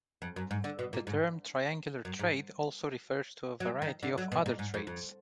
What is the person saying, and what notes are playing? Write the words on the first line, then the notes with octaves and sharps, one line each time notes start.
The term "triangular trade" also refers to a variety of other trades.
F2
F#2
G#2
D3
B2
A#2
G#2
F#2
G#2
F#3
D#3
D3
F#3
B2
A#2
G#2
F2
F2